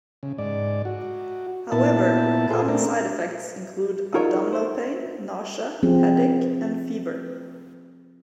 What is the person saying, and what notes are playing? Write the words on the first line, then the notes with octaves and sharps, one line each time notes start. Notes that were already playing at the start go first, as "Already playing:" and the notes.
However, common side effects include abdominal pain, nausea, headache, and fever.
C#3
G#2 D5
F#4
A#2 B3 E4 A5
F4 G#4 A4 C5
A3 C4 D4 A#4
D#4 F4 G#4 A#4 C#5 D5
C5
F3 C4 F4 G#4